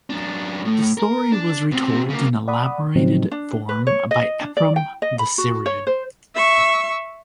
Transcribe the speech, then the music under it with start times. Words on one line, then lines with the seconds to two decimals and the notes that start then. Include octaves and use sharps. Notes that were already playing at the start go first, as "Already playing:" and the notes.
The story was retold in elaborated form by Ephrem the Syrian.
0.10 F#2 D4
0.65 A2
0.98 A#4
1.32 D4
1.72 B2 C4
2.10 C#3 A#3
2.48 D5 F#5 B5 D#6
2.95 A2 C#3 F3 F#3 C4 D#4
3.31 D4
3.69 B4
3.87 C#5
4.11 D#5
4.41 D4
4.57 D5
4.76 G5
5.02 D#5
5.19 B5
5.38 F#4
5.66 C#5
5.87 C5
6.35 E5 C#6